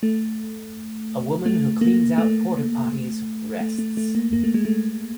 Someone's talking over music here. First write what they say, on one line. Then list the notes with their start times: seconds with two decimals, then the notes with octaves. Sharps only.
A woman who cleans out portapotties rests.
0.03 A3
1.46 A3
1.81 A#3
2.18 A3
3.61 A3
3.79 A3
3.97 A3
4.15 A#3
4.33 A#3
4.44 A3
4.54 G#3
4.65 A3